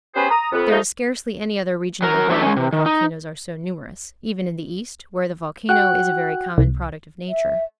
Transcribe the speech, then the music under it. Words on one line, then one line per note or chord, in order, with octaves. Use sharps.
There is scarcely any other region in the world where volcanoes are so numerous, even in the East, where the volcano is a very common product of nature.
B3 C#4 G4 G#4 B4 C5
A#5 D#6
F2 B3
F3 A3 A#3 D#4
F#3 A#4
F#3 A3 D4 D5 E5
G#3 C#4
C3
D#3
D#4
F#4 F#5 G5 F#6
C2
E5